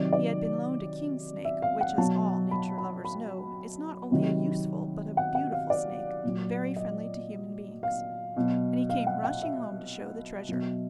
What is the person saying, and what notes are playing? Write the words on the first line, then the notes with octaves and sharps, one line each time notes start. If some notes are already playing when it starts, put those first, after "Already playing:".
He had been loaned a king-snake, which, as all nature-lovers know, is not only a useful but a beautiful snake, very friendly to human beings; and he came rushing home to show the treasure.
Already playing: C3 D#3 F#3 D5
D5
E5
F5
F#5
B2 F#3 A5
B5
B5
B5
C3 D#3 F#3
F#5
F#5
F5
D5
A#2 F#3
D#5
F5
B2 F#3
F5
F#5
F#5
E5
B2 F#3